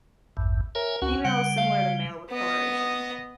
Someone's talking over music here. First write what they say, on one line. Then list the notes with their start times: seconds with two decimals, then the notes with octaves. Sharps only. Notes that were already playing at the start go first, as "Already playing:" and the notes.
Female is similar to male with coloration.
0.37 A1 E2 G2
0.75 A#4 C#5 E5 G#5
1.02 C#2 C#4 F#4
1.24 C#3 G3 F#5
1.57 F5
2.30 B3 D#5